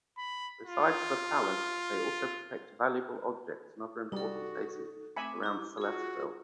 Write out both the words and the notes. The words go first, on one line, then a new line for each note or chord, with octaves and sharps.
Besides the palace they also protect valuable objects and other important places around Celesteville.
B5
F4
G3 D#4 F#4 A4
A3 C4 E5 G#5 B5 D6
E4 G4
F4 F#4 G#4